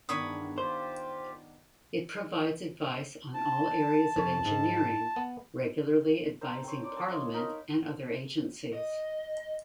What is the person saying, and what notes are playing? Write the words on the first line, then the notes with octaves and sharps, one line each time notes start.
It provides advice on all areas of engineering, regularly advising Parliament and other agencies.
E2 G2 D#3 B3 D4 C#5 B5 D#6
F4 G4 C5
A5
F2 C#5
G#2
B3
C5 A5 A#5 E6
C4 C5 C#5
D5
D5 F5 A5
C#5 D#5 F5 C6
D#4 A#4 B5
D#5